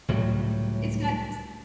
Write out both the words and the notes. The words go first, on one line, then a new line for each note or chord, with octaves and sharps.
it's got s
C#2 A2 F#3 G3